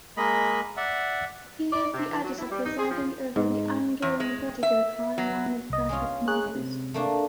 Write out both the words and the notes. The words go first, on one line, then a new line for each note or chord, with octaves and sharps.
He is the editor presiding over the ongoing Vertigo Crime line of graphic novels.
G#3 A#3 D#5 B5
D5 E5 F#5
D5
C3
E3
F#3
E4
G3
D#4
G#4
F3
G#2
E2
G#3
E5
F#3
C2 D#5
G#3 C#4 F4
G#4 C#5 F#6
C3
A3 A#3 D4